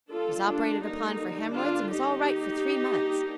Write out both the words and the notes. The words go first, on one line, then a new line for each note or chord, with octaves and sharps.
Was operated upon for hemorrhoids and was all right for three months.
D3 G3 A#3 D4 F4 A4
D4
D#4
D4 F4
D#4 G4
G3 A#3 D4